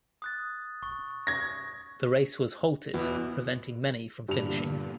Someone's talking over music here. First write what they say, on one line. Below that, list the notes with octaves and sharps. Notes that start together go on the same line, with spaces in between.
The race was halted, preventing many from finishing.
D#6 F#6 A6
C#6
G#6 A#6
E2 B2 D6
E2 G2 A#2 D3 F7